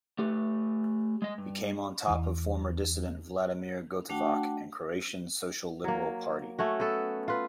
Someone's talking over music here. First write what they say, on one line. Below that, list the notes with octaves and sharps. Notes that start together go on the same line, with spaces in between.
He came on top of former dissident Vladimir Gotovac and Croatian Social Liberal Party.
A3 G4 B4
G#3 D#5
G2
E2 E3
A3 D4 F#4 F#5 G5 A5
F#3 A#3
A3 C#4 F#4
B3 A4
F4 B4